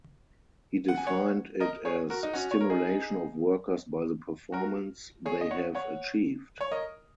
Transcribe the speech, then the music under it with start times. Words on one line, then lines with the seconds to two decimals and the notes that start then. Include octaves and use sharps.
He defined it as: Stimulation of workers by the performance they have achieved.
0.88 F#5
0.97 G#5
1.07 C#5 F#5
1.60 A#4 D#5
1.85 G#4 C#5
2.10 F#4 A#4
2.23 D#4
2.33 C#4 F#4
2.51 C#5
2.61 A#4
2.70 D#4 G#4
4.52 F#4 A#4
5.26 G#4 C#5
5.41 D#5
5.51 C#5 F#5
5.75 C#5 F#5
6.61 C#5
6.71 A#4 D#5